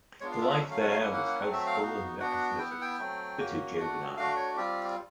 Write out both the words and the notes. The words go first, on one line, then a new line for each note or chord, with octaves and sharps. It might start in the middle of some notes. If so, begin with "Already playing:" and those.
The life there was healthful and athletic, but too juvenile.
G#3 B3 D4 F4 C#5
F5
E5
D#5
F#3 A3 C#4 E5
F5
F#5
F5
A#3 C#4 E4 F#5
F#5
F#5
F#3 A3 C4 F#5
E5
F5
B3 D#4 F#4
B3 D4 F#4 F#5
B3 E4 G5
F#5
G5
F#3 A3 C4
A#3 C#4 F#4
A3 D4 F#4 F#5
A3 D4 F#4 F5
C#5
G3 C4 F4 G4